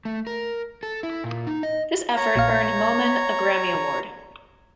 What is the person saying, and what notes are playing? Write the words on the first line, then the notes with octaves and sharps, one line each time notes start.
This effort earned Moman a Grammy Award.
A3
A#4
A4
E4
A#2
D#4
D#5
C#5 A#5
A#1 A#2 F5